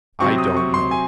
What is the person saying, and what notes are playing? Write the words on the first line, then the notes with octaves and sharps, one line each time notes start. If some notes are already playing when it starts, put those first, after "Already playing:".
"I don't know."
C3 F#3 C4 C#6
D#6
C#6
C6
G#5